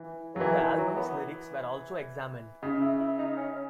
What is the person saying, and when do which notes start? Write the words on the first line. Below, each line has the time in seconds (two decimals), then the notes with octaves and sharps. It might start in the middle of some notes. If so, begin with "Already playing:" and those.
The album's lyrics were also examined.
Already playing: E3
0.34 C#3 F#3
0.40 D#3 E3
0.59 D#3
0.77 F#3
0.96 B3
2.62 C#3 D#4
2.81 E4
3.00 E4
3.18 D#4
3.37 C#4